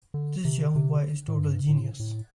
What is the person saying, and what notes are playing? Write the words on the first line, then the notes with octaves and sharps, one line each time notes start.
This young boy is a total genius.
D3
C3
C3
A2
G2
A2
A2